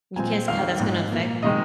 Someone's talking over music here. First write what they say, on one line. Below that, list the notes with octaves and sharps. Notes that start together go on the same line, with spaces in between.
you can't see how that's gonna affect you?
A#2 F3 G#3 C4 G#5
F2 D#3 C4 F5
G#2 F3 G#3
A#2 A#3
C3 D#3 G#3 D#5